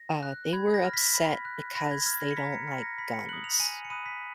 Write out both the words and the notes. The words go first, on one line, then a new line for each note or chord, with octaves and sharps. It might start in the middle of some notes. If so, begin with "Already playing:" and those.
Uh, they were upset because they don't like guns.
Already playing: A#6
F#6
B5 G#6
A#6
F6
B6
B5
F#6
B5 A#6
G#6
F6 G#6
A#6
C#7
A#5 B6
C#7
F6 C#7
A#6
B5 B6
C#7
D#6 F#6 F#7
F7
G#5 D#7
C#7
B5 D#6 F#6 D#7
B6